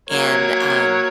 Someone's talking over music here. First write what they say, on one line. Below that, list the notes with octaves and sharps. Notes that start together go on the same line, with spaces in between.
and, um
F#3 A#3 C#5